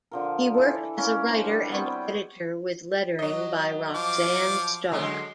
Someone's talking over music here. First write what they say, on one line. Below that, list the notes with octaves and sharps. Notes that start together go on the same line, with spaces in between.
He worked as writer and editor with lettering by Roxanne Starr.
D3 F3 A#4
E3 A4
A#3 C#4 E4 A#4
D4 C5
G3 D4
B3 C4 C#5 G5
F#3 D#5
F3 D6
D3 F#3 G#3